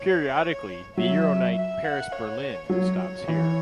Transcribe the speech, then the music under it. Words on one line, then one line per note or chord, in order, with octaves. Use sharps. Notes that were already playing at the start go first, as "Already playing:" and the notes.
Periodically the EuroNight Paris-Berlin stops here.
Already playing: C#5
F#3 E5
E5
F#5
C#5
F#3 C#5
E3